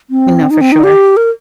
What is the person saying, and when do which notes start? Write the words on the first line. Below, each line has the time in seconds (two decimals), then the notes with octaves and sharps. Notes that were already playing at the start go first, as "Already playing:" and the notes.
You know, for sure.
0.10 C4
0.51 D#4
0.61 C4
0.72 D#4
0.84 G4
1.17 A#4